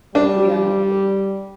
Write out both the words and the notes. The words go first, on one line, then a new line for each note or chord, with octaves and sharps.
We all need it.
G3 D4